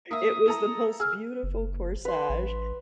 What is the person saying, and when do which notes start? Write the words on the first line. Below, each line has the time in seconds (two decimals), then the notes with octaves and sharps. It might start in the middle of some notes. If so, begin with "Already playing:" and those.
it was the most beautiful corsage,
0.11 A#3 E5 D#6
0.46 E4 A4 A#5
1.00 G#4 E6 F6
1.43 F#1
2.05 B4 C6
2.29 A1